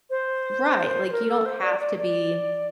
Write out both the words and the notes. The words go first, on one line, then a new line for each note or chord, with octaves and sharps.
Right. Like, you don't have to be
C5
C5
A#4
A4
C5
D5
D5
D5